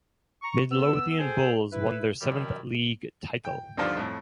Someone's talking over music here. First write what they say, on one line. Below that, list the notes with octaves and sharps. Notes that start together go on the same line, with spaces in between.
Midlothian Bulls won their seventh league title.
A#5 C#6
B3 E6
G#4 A4 C5 G5 G#5
E4 B4
F#2 B2 D#3 F#3 G3
G5
D2 G2 D#3 F3 F4 D5
F2 A2